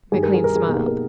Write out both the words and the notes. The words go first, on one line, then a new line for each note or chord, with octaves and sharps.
McLean smiled.
G2 D#3 G3 G#4
A#4
G#4
A#4
G#4
B2 A#3 D#4 G4 A#4
G#4
A#4